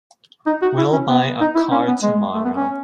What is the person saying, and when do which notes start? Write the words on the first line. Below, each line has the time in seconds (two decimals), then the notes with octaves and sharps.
We'll buy a car to-morrow.
0.46 D#4
0.62 F#4
0.78 E4
0.93 C#4
1.09 B3
1.41 D#4
1.55 E4
1.71 C#4
1.88 B3
2.03 G#3
2.34 A3
2.45 B3
2.56 C#4